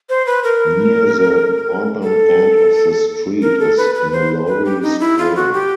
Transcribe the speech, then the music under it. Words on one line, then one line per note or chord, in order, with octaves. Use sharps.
Near the northern end of the street is Mallory Square.
C5
B4
A#4
A4
A#4
A4
B4
B4
C5
B4
G4
D#4
E4
F4
F#4
G4